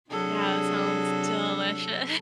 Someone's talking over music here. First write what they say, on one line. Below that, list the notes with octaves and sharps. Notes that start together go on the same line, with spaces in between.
Yeah, that sounds deliciou
C3 F#3 D4 G#4 A4